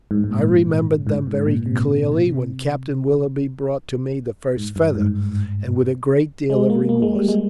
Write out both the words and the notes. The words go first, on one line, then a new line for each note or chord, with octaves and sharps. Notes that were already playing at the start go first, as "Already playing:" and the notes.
I remembered them very clearly when Captain Willoughby brought to me the first feather, and with a great deal of remorse.
G#2
G#2
A#2
G#2
G#2
G#2
A#2
C3
A#2
C3
G#2
G2
G#2
G#3
A#3
A#3
G#3
G3
G#3